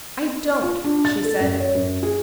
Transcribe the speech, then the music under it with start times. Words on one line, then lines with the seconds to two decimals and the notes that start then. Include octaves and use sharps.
"I don't," she said.
0.62 F4
0.84 D4
1.05 A6
1.24 A4
1.40 F#2
1.60 C#5
1.75 F#2
2.03 G#4